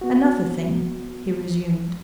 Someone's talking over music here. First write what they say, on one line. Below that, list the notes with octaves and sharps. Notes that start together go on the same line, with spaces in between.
"Another thing," he resumed.
B3 F#4